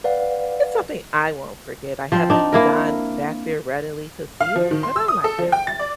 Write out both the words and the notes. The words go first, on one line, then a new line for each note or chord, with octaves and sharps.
it's something I won't forget, I haven't gone back there readily to see it, but I liked it.
B4 D5 F5 F#5
F3 C4 C5
D4 D#4
A#3 E4 A#4
F5
F3
D#3
C6
E6
D#6
A4
F3
G5
A6
D5